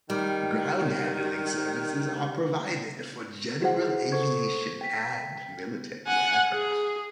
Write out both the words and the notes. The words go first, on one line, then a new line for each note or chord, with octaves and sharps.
Ground handling services are provided for general aviation and military aircraft.
D#3 G3
E4 F#4 G#4 C5 F#5
A4 C5 C#6 G#6
G5 B6
F#5 G#5
G#4